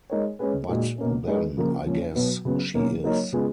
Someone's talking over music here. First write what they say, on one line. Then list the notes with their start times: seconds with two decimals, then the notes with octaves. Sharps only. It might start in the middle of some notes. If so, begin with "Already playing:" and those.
But then, I guess, she is.
0.10 G#3 D#4 A#4 C#5
0.39 G#3 C#4 G#4 B4
0.69 A#2 G#3 D#4 F#4
0.98 B2 A#3 C#4
1.27 G#3 D#4 G#4 B4
1.57 C#3 F3 A#3 F4 A#4
1.86 F3 A#3 C#4
2.15 B2 F#3 B3 F#4 B4
2.45 C#3 F#3 B3
2.74 B2 F#3 A#3 C#4
3.04 F#3 A#3 D#4 A#4 C#5
3.32 C#3 G#3 B3 F4 G#4